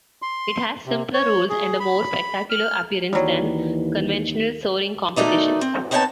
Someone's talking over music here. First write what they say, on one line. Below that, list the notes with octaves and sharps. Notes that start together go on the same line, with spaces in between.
It has simpler rules and a more spectacular appearance than conventional soaring competitions.
C6
C3
C#5
G#4
B5
F6
D#2 E3 F#3 G3
B2 D#3 A3 D#4 D5
C4
B3 C4 D#4 C#5 G5 A5